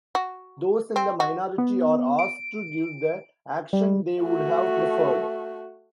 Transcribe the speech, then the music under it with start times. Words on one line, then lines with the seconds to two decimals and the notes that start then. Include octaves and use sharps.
Those in the minority are asked to give the action they would have preferred.
0.15 F#4
0.96 C4
1.20 F#4
1.58 B3
2.19 D7
3.73 G3
4.23 A3 F#4